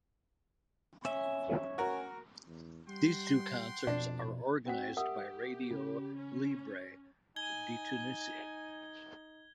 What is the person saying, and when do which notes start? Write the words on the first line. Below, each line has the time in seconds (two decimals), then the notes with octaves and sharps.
These two concerts are organized by Radio Libre de Tunisie.
1.05 C#4 E5
1.78 F#4 A#4
2.48 E2
2.88 G3 F#5 G5 C6
3.87 F2 B2 D4
4.66 C4 F#4 F#5 B6
4.97 G4 A#4 E5 F#5 D#6
5.71 C#3
6.17 C#4
7.36 D#4 G#5 G#6 G7